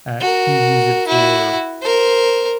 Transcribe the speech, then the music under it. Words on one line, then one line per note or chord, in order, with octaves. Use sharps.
uh, you use it for
F#4 A#4
E4 F#4
A#4 C5